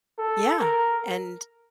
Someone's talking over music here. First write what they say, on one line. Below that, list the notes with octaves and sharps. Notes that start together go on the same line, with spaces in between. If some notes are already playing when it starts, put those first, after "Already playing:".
yeah, and
A4
A#4